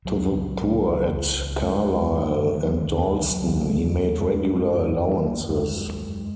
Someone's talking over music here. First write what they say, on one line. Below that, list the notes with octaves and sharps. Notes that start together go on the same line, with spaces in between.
To the poor at Carlisle and Dalston he made regular allowances.
C#2 F#3
C#2
C#2
C#2
C#2
C#2
D#2 G#3
D#2
F#2
F#2
D#3
D#2 F#3
D#3
D#2 D#3
F#3
C#2 D#3
F#3
C#2
D#2
D#2
F#2 G#3
F#2
F#2
F#2
F#3
G#3
D#2 A#3
D#2 G#3
F#2
F#2